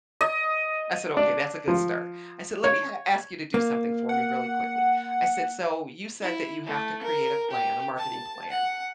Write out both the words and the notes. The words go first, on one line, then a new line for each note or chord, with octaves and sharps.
I said, "Okay, that's a good start." I said, "Let me a ask you to do something for me really quickly." I said, "So, you said that you have to create a plan, a marketing plan,"
D#5
D4
F3
C#5
A#3
F#5
E4
A3
A#4
G4
A5
F#5